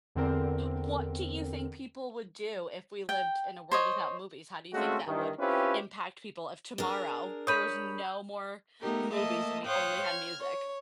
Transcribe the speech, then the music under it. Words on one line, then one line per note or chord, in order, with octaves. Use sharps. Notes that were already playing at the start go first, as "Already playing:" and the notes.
What do you think people would do if we lived in a world without movies? How do you think that would impact people if tomorrow there was no more movies and we only had music?
E2 D3 C4 A#4
G5
C5 C#5 D#5
G#3 A3 C4 C#4 F4 F#4
G2 D#3 E3
C4 C#4 E4 F4 G4 B4
D4 G#4 A#4
C#5 B5 D#6 G6 D#7
A3 B3 D#4 G4 A#4
A3 A#3 D#5 E5 A5 D#6
C5 C#5 F5 G5 D#6 F#6
F6 G#6
C#5